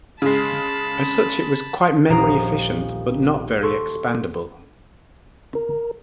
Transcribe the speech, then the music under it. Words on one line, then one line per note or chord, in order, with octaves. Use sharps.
As such it was quite memory efficient, but not very expandable.
C#3 G#3 A5 B5
D#1 A#1 D#4 A#5 C7 D7
A4 C6 C#6
A#4